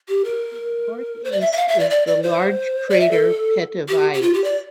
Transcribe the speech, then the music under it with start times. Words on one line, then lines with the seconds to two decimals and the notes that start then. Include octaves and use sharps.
To the northeast is the large crater Petavius.
0.08 G4
0.24 A#4
1.24 C5
1.32 D5
1.41 E5
1.52 E5
1.56 F5
1.68 E5
1.79 D5
1.90 D5
2.07 D5
2.22 C5
2.90 D5
3.00 E5
3.11 A4
3.88 G4
4.13 G4
4.22 F4
4.34 G4
4.44 D5